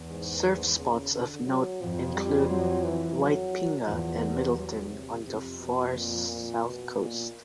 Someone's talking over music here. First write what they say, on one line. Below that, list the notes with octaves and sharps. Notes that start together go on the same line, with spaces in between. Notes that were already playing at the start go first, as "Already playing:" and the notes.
Surf spots of note include Waitpinga and Middleton on the Far South Coast.
Already playing: E2
G#2
G#2
C#3
D3
F#3
F2 F3
G3
F#3
E3
F#3
E2 F3
G3
F#3
C3
F2 C3
B2
A#2
A#2
B2
A#2